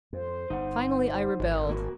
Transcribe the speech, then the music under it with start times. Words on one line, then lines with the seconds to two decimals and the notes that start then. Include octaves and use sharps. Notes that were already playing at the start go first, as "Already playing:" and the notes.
Finally I rebelled.
0.13 F2 C5
0.50 G1 D#4 F#5
1.40 G#1 A#2
1.70 A#3 F#4